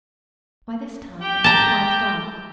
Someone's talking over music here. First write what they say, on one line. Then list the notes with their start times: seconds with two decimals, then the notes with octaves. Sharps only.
By this time it was quite dark.
1.22 G4 G5
1.44 A5 A#5